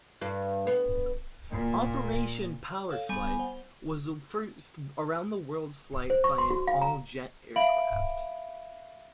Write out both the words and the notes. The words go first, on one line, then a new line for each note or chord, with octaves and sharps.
"Operation Power-Flite" was the first around the world flight by an all-jet aircraft.
G2
B3
A#2
A4 C#5 F5
G3 B3 G#5
C5 F#5
C5
C#6
C6
F#4
F5
A#5
E5 F5 B5 D7 F#7